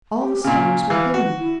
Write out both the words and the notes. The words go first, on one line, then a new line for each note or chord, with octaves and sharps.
All the stars were hidden.
G4
A#2 C#3 G#5
E3 B4 F5
F#4
E4